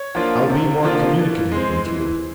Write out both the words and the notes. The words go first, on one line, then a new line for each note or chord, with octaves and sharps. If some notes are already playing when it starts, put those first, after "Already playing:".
I'll be more communicative with you.
Already playing: C#5
F3 A#3 D4 F4
C3
F3 A#3 D4 F4
E3
G#3 C4
E3